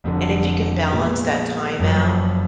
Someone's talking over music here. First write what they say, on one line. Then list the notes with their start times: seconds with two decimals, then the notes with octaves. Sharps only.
And if you can balance that time out
0.04 F1 F2 D3
0.91 A#1 A#2 G#3 B3
1.79 F#1 F#2 F3